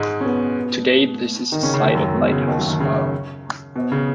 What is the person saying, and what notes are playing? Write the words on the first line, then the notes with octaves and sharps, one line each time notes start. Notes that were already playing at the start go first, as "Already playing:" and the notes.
Today this is the site of a lighthouse.
Already playing: G#2 G#3
C#4
B2 B3
D#3 D#4
C#3 C#4
C#3 C#4
D#2 D#3
F#2 F#3
B2
C#3
D#2 D#3
F#2 F#3
D#2 D#3
C#3
B2
C#3